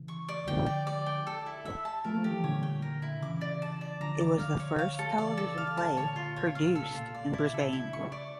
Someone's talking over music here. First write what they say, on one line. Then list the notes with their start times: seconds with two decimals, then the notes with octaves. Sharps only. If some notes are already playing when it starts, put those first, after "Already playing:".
It was the first television play produced in Brisbane.
Already playing: C#3 E3
0.08 C#6
0.28 D5
0.48 D3 F3 G5
0.67 D5
0.87 D5
1.06 G5
1.27 A4
1.46 E4
1.65 E5
1.85 A5
2.04 F3 A3 A#4
2.12 A#3
2.17 F3 A3
2.24 G4
2.31 E3 G3
2.44 A#2 D3 C#5
2.63 G5
2.82 A#4
3.02 E4
3.21 C#3 E3 D6
3.41 D5
3.62 A5
3.81 D5
4.00 D3 F3 A#5
4.20 D6
4.39 F5
4.60 C#5
4.79 F5
4.99 A4
5.18 C#3 E3 D5
5.37 A4
5.58 F5
5.77 A5
5.96 A#2 D3 C#5
6.16 F4
6.36 C#5
6.55 F5
6.75 C#3 A4
6.94 A#2 F4
7.14 D5
7.33 E4
7.54 C#3 A4
7.73 E4
7.93 C#6
8.12 D5